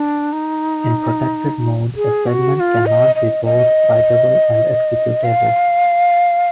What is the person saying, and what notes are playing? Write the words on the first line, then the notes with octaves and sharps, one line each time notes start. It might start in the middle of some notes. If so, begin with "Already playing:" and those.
In protected mode a segment can not be both writable and executable.
Already playing: D4
D#4
G#4
F#4
F#4
F4
D#5
D#5
D#5
F5